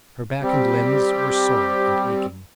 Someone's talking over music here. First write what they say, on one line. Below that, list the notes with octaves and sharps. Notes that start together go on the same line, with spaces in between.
Her back and limbs were sore and aching.
G3 C4 G4